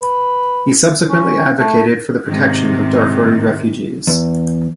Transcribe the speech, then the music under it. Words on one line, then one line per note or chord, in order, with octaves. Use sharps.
He subsequently advocated for the protection of Darfuri refugees.
B4
C#4
A3
G#2 C3 D#3
E2